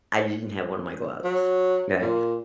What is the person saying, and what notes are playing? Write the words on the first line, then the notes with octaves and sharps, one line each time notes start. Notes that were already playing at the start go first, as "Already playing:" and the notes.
I didn't have one of my gloves. 'Kay?
F#3
A#2